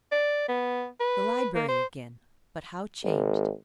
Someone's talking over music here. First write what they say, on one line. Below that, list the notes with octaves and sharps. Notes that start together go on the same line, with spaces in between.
The library again! but how changed!
D5
B3
B4
A#3
C5
G#1